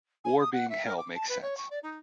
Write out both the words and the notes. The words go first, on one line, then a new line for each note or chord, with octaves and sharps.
War being hell makes sense.
G#5
D#6
F#5
E5
A#4
D6
A5
B4
C#5
C#6
D5
D#4